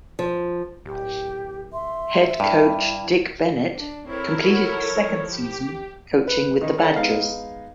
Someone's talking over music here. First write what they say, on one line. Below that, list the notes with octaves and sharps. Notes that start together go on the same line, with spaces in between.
Head coach Dick Bennett completed his second season coaching with the Badgers.
F3
D1 G4
E5 C6
G2 E4
D4
C4 E4 A4 A#4 C#5
F#4 C#5
F3
G4
B4
D#3 D#4 E4
A4 C#5 F#5
G#3 B3 D#4 F5